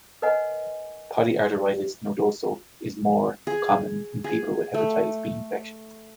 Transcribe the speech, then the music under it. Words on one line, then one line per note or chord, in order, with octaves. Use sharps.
Polyarteritis nodosa is more common in people with hepatitis B infection.
A#4 B4 C#5 D#5 F#5 G#5
G#4
G#4
A3